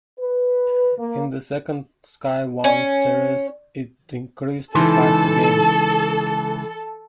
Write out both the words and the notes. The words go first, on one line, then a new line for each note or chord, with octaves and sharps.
In the second Sky One series, it increased to five again.
B4
A#3
C#4
C#2 E3 D#4 A4 C6